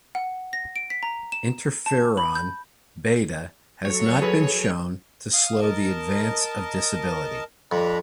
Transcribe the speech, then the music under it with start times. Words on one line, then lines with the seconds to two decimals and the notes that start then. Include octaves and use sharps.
Interferon beta has not been shown to slow the advance of disability.
0.15 F#5
0.53 A#6
0.76 D7
0.90 B6
1.03 A#5
1.32 E7
1.86 A5
2.17 B5
2.35 G6
3.85 F#3 A4 C#5
4.22 G#4 B4
5.33 F5 D#6
5.61 A#4 D#5 A5
7.72 F2 D4 A#5 B5